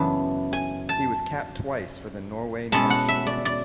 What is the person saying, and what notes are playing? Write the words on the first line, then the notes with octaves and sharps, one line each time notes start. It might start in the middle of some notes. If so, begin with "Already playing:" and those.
He was capped twice for the Norway national team.
Already playing: F#2 C#3 E3 B3 D4 A5
G#5
A5
B2 G#3 C#4 E4 A5
F#5
E5
D5
D5